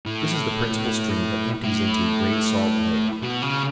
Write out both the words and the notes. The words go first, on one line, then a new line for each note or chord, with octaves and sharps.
This is the principal stream that empties into GREAT SALT LAKE.
A2
A2
B2
C#3